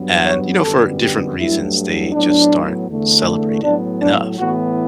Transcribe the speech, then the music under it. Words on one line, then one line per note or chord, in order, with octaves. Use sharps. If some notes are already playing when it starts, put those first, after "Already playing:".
and, you know, for different reasons, they just aren't celebrated enough.
Already playing: G2 F#3 B3
C#5
F#2 D3 G3 B3 A4
G4
G2 F#3 A3 E4
A2 F#3 B3 D4
E2 D3 A3
A2 F#3 B3 D4
D4
A2 E3 B3 F#4